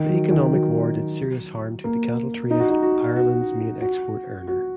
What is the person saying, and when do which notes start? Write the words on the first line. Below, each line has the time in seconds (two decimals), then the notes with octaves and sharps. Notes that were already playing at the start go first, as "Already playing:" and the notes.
The economic war did serious harm to the cattle trade, Ireland's main export earner.
Already playing: D#3
0.09 F#3
0.31 D#3
0.53 F#3
1.84 A#3
2.51 D#4
2.60 F#4
2.70 D#4
2.83 F#4
3.16 F#4
3.81 F#4
4.47 F#4